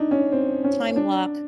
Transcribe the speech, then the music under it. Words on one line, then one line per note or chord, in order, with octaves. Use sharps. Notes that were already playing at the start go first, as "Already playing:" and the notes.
time block,
Already playing: D4 D#4
C#4
C4
C#4
D4